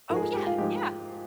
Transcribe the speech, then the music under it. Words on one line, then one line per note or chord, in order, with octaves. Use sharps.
Oh, yeah, yeah.
G#2 F3 G#3 A#4
G#4
A#4
G4
F4
G#2 F3 G#3 G4